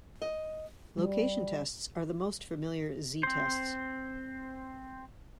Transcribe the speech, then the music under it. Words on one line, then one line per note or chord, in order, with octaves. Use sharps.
Location tests are the most familiar "Z"-tests.
D#5
G3
C4 C5